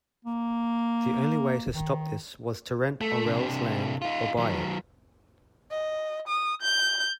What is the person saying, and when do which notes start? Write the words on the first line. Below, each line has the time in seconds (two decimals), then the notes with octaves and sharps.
The only way to stop this was to rent Orrell's land or buy it.
0.25 A#3
1.74 D#3
3.01 A3
3.26 C3 D4
4.02 D#4 F4
4.37 D#3 F#3
5.71 D#5
6.28 D#6
6.62 G6